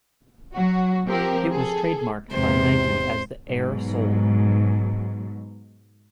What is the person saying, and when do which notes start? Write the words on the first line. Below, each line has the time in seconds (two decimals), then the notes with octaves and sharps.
It was trademarked by Nike as the "Air" sole.
0.54 F#3 F#4
1.07 F3 C4 G4 A#4
1.51 G#4 A4
2.31 E2 G#2 C3 C5
3.48 G#2 B2 F#3